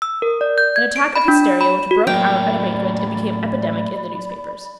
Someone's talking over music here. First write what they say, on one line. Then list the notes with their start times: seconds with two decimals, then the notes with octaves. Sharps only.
An attack of hysteria which broke out at a banquet and became epidemic in the newspapers.
0.02 E6
0.22 A#4
0.41 D5
0.58 G6
0.76 G#6
0.96 D7
1.15 B5
1.28 D4
1.61 B5
1.91 F#4
2.07 A2 F#3 A#3 C#4 A#4 D5 G5 B5